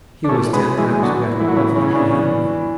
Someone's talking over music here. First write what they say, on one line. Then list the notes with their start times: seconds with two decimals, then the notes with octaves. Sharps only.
He was ten times better off than he had been.
0.24 D4
0.29 A2 A3 C#4
0.48 F#3
0.53 G#3 B3
0.65 A2
0.78 E3 G#3
0.84 B3
0.91 G#3
1.03 D3 F#3 B3
1.21 E4
1.39 A2 E3
1.49 F#3
1.56 C#3 E3 B3
1.76 C#3 E3
1.95 D4
2.13 B3
2.31 E3
2.49 E3